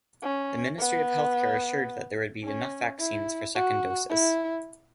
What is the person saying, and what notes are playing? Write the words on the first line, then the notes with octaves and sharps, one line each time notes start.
The Ministry of Healthcare assured that there would be enough vaccines for second doses.
C#4
B3
C#4
E4
F#4
E4